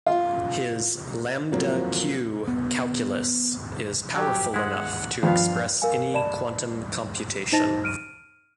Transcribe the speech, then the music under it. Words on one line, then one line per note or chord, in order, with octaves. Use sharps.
His lambda-q calculus is powerful enough to express any quantum computation.
F4
A2 F3 F#3 A#3 C4
B3
F#3 G4
G#3 E4 F#5
G2 F3 B3 F5
A#4 F5 G#5
D5 D#5 A5 B5 E7
D#4 C5 D#5 A5 A6 A#6
F6 D7 D#7